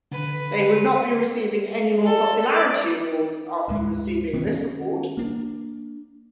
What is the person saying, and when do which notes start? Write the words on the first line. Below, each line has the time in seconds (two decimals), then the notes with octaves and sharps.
They would not be receiving any more popularity awards after receiving this award.
0.12 D3 B4
2.05 A4
2.53 D5
3.68 D2 G#2 G#3
4.33 D#3 B3 C#4
5.17 A#3 D4